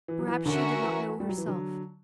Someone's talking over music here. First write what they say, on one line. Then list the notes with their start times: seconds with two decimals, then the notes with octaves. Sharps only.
Perhaps she did not know herself.
0.08 E3
0.19 F#3
0.27 E3
0.45 D3 C#4 F#4 A#4 E5
0.83 E3
1.20 G3
1.29 F#3
1.38 E3
1.46 D3 F#3